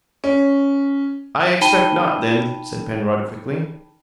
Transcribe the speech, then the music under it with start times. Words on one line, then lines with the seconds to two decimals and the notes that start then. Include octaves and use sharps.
"I expect not, then," said Penrod, quickly.
0.24 C#4
1.61 D#4 G5 A5 B5 D#7 G7